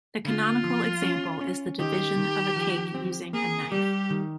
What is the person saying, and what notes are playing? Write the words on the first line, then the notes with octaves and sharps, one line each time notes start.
The canonical example is the division of a cake using a knife.
D3 F4
F3
C#4
C#4
D#3 G4
D#3
F3
C4
A#3 G#4
G3 G4
D#3